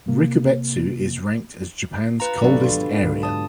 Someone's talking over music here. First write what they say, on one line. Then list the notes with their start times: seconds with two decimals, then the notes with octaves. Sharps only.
Rikubetsu is ranked as Japan's coldest area.
0.08 C3 A#3
2.20 F4 B4 A#5
2.42 G#1 B2 D3 F#3 A#3 D5
2.61 G3 F4
3.04 G#2 D3 F#3
3.23 A5 D#6